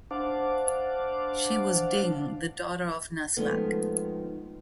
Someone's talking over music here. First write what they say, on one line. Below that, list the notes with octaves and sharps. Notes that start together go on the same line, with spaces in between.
She was Ding, the daughter of Naslag.
D4 C5 F5 F#5 A5 D6
D#3 F3 G#3 A3 B3